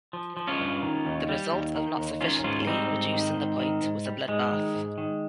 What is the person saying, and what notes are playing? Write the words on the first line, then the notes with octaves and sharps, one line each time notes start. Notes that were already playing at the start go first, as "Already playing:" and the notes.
The result of not sufficiently reducing "the Point" was a bloodbath.
F3
F3
C#4 F4
G2
D#3
D#2
G3
D#2
D#3
D#2
D#3 C#4 F4
G#2 C#4 F4
G3 C4 D#4
G#2
D#3
G#2
D#3
G#2
G3
G#2 G#3
D#3
G#2
D#3